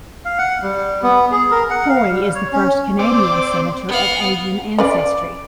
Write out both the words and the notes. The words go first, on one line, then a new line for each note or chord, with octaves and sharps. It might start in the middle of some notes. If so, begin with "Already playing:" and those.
Poy is the first Canadian senator of Asian ancestry.
F5
F#5
G3
B3
G#4
A#4
F#5
F5
G3
C#5
C#4
C4 D5 D6
B3 F5
C#4 B4 D5 F5